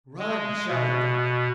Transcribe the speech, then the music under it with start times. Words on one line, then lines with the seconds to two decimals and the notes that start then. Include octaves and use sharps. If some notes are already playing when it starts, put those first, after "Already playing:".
"Run!" shouted the doctor.
0.19 G#3
0.69 B2